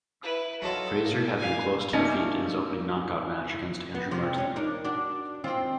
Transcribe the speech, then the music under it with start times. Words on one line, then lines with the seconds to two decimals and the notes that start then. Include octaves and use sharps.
Fraser had been close to defeat in his opening knockout match against Andrew Martin.
0.23 E4 B4
0.62 F#3 D#4 F4 A4
1.05 A#3
1.39 F5 G#5
1.93 G3 A3 A#3 C#4 D#4
3.95 B3
4.11 C3 F3
4.38 C#4 D4
4.56 D4 D#4 A#4
4.85 D4 F#4
5.44 D#3 C4 F4